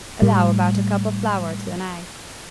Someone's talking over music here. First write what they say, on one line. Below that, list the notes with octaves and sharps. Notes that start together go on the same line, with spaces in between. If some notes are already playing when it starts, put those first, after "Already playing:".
Allow about a cup of flour to an egg.
A2 G3